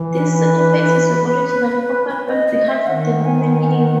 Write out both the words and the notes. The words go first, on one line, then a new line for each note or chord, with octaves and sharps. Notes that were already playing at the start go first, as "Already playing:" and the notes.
These sacrifices were originally offered on behalf of the human king.
Already playing: E3
B4
B4
D#5
D#5
E5
D#3 F#5
G#5
F#5